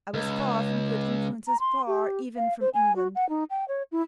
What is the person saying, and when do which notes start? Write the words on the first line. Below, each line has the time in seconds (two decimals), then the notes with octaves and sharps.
I was far from good influences--far even from England.
0.14 C#2
1.47 A#5
1.60 C6
1.87 G4
2.37 F5
2.61 C5
2.74 G#5
2.96 F#4
3.15 F#5
3.29 D#4
3.50 G5
3.68 C#5
3.92 E4